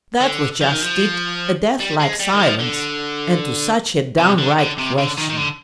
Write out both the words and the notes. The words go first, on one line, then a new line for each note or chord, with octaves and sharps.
That was just it, a deathlike silence, and to such a downright question.
D3
F3
D#3
F3
G3
G#3
G3
D#3
F3
D3
C3
D3
D3
C3
D3
D#3
D#3
D3